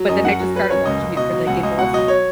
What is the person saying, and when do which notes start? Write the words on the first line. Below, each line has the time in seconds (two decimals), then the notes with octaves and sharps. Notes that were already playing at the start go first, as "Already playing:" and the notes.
but then I just started watching it for the giggles.
Already playing: F#3
0.09 F#2 D#5
0.25 F#2 F#5
0.40 F#3
0.55 F#3 B4
0.71 F#2 C#5
0.86 C#2 D#5
1.02 C#2
1.17 B2 D#5
1.33 F#3
1.47 C#2 F#5
1.63 C#2 D#5
1.78 B2 F#5
1.93 F#3 D#5
2.08 C#5